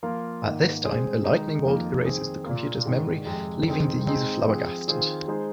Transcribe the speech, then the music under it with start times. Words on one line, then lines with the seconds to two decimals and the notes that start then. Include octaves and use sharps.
At this time, a lightning bolt erases the computer's memory, leaving the user flabbergasted.
0.03 F3 A#3 F4 A#4
0.43 G#2 D#3 A#3
0.84 G#3 C4 G#4 C5
1.24 D#3 G#3 D#4
1.64 F2 F3 A#3 D#4
2.05 D#3 C4 G#4 C5
2.45 A#2 A#3 F4
2.85 G#2 D#3 G#3
3.25 F2 C3 G#3
3.66 F2 D#3 C4 G#4
4.07 G#3 C4 D#4 G#4
4.47 F3 C4 G#4
4.88 D#3 C4 F4 G#4 C5
5.28 G#3 D#4 G#4 C5